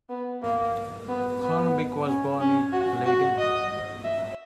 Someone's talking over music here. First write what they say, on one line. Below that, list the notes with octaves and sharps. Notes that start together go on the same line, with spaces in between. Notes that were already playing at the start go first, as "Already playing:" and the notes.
Hoornbeek was born in Leiden.
B3
A#3
B3
B3
C#4
C#4
F#4
F#4
D#5
E5